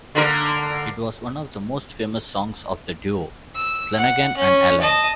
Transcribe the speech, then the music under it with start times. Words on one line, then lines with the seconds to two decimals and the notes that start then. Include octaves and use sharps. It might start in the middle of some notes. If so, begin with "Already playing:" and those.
It was one of the most famous songs of the duo Flanagan and Allen.
0.15 D3 A#3 A#4
3.55 E6
3.97 F#5
4.37 C#4
4.81 D#5 A5